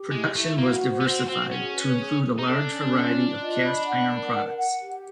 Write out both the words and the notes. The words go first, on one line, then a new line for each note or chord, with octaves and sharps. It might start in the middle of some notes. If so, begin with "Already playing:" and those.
Production was diversified to include a large variety of cast iron products.
Already playing: G4
G#3 E4
A3 E4
A#3 F#4
C5
B3
C4 F#4
C4 F#4
C#4 G#4
B4
G#4
G#4
D#4
D4 A4
C#4
F4
F4
D#5
B5
F#5
A#4
F#5
F#5
G4